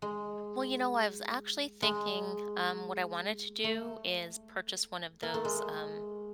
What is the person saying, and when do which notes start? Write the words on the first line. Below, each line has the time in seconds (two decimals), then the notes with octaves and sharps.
Well, you know, I was actually thinking, um, what I wanted to do is purchase one of those, um,
0.02 G#3
1.82 G#3
3.64 A3
5.23 A#3
5.34 A3
5.45 G#3